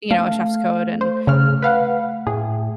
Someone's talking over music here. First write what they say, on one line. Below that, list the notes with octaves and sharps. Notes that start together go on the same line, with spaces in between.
you know, a chef's coat and,
A3 F5
C5
C#3 F6
B4 F5 F#5
A2 G#4